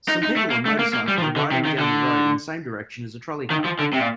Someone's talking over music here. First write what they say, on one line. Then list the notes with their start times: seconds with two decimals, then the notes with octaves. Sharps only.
Some people on motorcycles are riding down the road in the same direction as a trolley car.
0.09 D#4
0.23 D#4
0.36 A3
0.50 A#3
0.66 A3
0.79 A#3
0.93 A#3
1.08 G3
1.18 F3
1.22 D#3
1.36 D3
1.51 C3
1.65 D#3
1.79 D3
3.51 D#3
3.65 F3
3.80 D3
3.94 C3
4.01 A#2